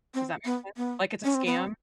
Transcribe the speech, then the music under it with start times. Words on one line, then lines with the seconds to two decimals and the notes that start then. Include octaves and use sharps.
Does that make sense? Like, it's a scam.
0.14 C4
0.45 B3
0.77 B3
1.24 C#4
1.35 C4
1.46 B3
1.57 C4